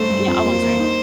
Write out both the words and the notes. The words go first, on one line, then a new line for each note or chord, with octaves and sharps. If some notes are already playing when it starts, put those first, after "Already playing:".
Yeah Oh, I'm sorry.
Already playing: G2 A3 C5
G2
F2
A#3
A#3
D#4